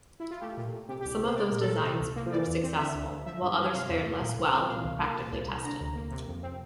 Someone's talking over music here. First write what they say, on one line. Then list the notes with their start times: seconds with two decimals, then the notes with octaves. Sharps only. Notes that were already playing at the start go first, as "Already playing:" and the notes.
Some of those designs proved successful, whilst others fared less well when practically tested.
0.20 E4
0.31 F4
0.41 A3 G4
0.57 A#2
0.73 A#2
0.88 C3 G4
1.01 G4
1.05 C2
1.21 C2 C5
1.36 A3 D5
1.51 A#2 A#4
1.61 A4
1.68 A#2
1.84 C3 A4
2.00 C2
2.16 A#3
2.32 E3 D5
2.47 E2
2.63 C4
2.79 D3 E5
2.95 D2
3.10 D2
3.26 F3 E5
3.42 G2
3.58 G2
3.73 C3 F5
3.90 E2
4.06 A3
4.22 A#2
4.37 C2
4.53 C4
4.69 A#2 F5
4.84 C2
5.01 A#3
5.16 A#2 A5
5.32 C2
5.48 C2
5.64 D3 A#5
5.80 D2
5.95 A#3
6.11 C3
6.27 F2
6.43 C4